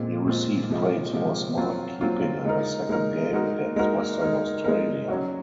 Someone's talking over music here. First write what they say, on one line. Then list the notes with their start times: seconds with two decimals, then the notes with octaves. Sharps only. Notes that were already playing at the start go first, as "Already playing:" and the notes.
He received praise for "smart" keeping in his second game against Western Australia.
Already playing: A#2 G#3 C4 F4
0.25 A#2 G#3 C4 F4
0.70 C3 F3 G#3
1.13 C3 F3 G#3
1.57 F#3 C4 F4
2.01 F#3 C4 F4
2.45 G#3 D#4 A#4
2.89 G#3 D#4 A#4
3.33 G#3 D#4 F#4 A#4
3.76 G#3 D#4 F#4 A#4
4.21 G#3 D#4 A#4
4.64 G#3 D#4 A#4
5.08 F#3 C#4 F#4